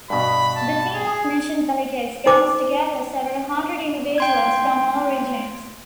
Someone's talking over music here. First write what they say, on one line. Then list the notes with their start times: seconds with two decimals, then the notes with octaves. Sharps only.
The team of mission delegates gathers together several hundred individuals from all regions.
0.10 G2 B2 B5
0.56 A5
0.94 G#4
2.26 D#4 C5 D6
4.18 G5 C6 G#6